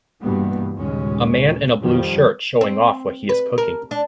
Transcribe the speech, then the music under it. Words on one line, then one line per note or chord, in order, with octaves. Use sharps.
A man in a blue shirt showing off what he is cooking.
G2 B2 E3 G3 A#3 B3
D#2 A#2 C#3 G#3 C#4
F2 D#3 F3 G3
C4
B4
A#4
D4